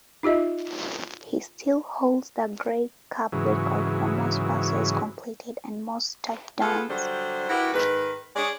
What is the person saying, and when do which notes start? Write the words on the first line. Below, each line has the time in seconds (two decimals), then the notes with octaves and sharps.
He still holds the Grey Cup record for most passes completed and most touchdowns.
0.23 D#4 F4 G4 D#5 E5
3.32 G#2 C#3 E3 F#3
6.60 G#3 B3 F4 A4
6.89 D3 F#3 G3 C5
7.49 E4 F#4 G4 A#4 B4
7.73 G#2 D#3 B4
8.36 G#3 G#4 C#5 D5